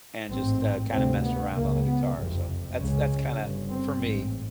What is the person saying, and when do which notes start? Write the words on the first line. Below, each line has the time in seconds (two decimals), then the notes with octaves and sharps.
and just, uh, kinda mess around on the guitar, so, that's that's kinda for me.
0.31 A1 G#2 C4
0.93 D2 C3 C4
1.24 B3
1.54 C#2 C#3 A#3
1.85 B3
2.16 F#1 F2 C3
2.78 C#2 C#3 C#4
3.39 G1 G2
3.70 C4
4.01 A1 G#2